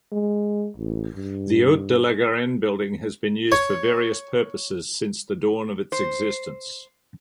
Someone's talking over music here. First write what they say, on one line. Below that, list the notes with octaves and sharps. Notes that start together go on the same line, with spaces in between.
The Haut de la Garenne building, has been used for various purposes since the dawn of its existence.
G#3
A1
G2
C#5
C5